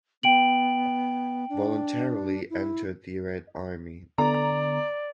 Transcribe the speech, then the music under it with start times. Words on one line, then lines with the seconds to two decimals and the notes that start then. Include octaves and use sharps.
Voluntarily entered the Red Army.
0.23 B3 G5 D7 F#7
1.49 D4
2.50 E4
4.18 D3 B3 A4 D5 A#5